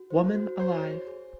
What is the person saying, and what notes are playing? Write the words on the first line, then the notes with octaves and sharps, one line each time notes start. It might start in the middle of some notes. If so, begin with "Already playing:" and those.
Woman Alive!
Already playing: F#4
C5
F#4
C5 C#5
G#4
G#4